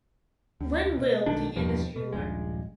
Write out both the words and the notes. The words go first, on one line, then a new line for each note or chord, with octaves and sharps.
When will the industry learn?
D2
B2
B1 B2 D#3 D4
E2 G2 B2 F3
B2
D#1 A#1 G2 G#3